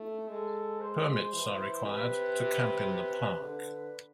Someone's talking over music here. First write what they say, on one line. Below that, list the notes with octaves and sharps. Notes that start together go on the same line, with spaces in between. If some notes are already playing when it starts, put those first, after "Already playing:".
Permits are required to camp in the park.
Already playing: A3
G#3 A4
C5
E3
C3 B4
B4
D3 B4